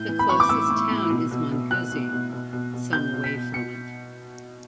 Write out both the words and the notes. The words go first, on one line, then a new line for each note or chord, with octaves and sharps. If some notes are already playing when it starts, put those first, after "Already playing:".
The closest town is Manguzi, some away from it.
Already playing: A2 G6
E3
B5
E3 C#6
D6
A2 E6
A2
A2
B2
B2
B2
B2 F#6
B2
B2
B2
B2
B2
B2 G6
B2
B6
B2
B2 C#7